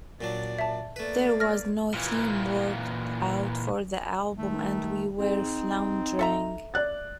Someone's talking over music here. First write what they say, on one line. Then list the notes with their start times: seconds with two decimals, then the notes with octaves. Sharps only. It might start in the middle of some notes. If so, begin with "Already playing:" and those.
There was no theme worked out for the album and we were floundering.
0.21 A#2 F#3 D4 D5
0.59 E5 A5
0.96 A3 A#3 B4 D5
1.40 F6 A#6
1.94 A#2 E3
4.38 D#3 A3
5.19 C4 D#4 G#4
6.19 A4 E5 A#5
6.74 D5 F#6 A6